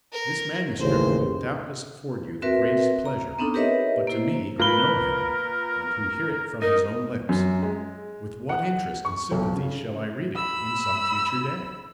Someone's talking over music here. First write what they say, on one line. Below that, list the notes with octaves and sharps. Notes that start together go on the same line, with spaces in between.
This manuscript will doubtless afford you the greatest pleasure; but to me, who know him, and who hear it from his own lips--with what interest and sympathy shall I read it in some future day!
A#4
A1 D#2 C#3 C5
C4 F#4 A#4 B4 E5
A#5
B3 C4 D4 D#4 A4
G4 A#4 B4 C#5 D#5 E5
A#3 E4 C5
A#3 F4 A#4 B4 B5 G7
D#4 A#4 D#5
F#2
G#3
F#5
C#6
B1
C#3
B5 E6